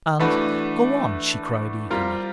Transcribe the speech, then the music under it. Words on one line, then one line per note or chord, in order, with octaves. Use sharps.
And--'Go on,' she cried eagerly.
E3 A3 D4 F#4 B4
G3 C4 F4 A#4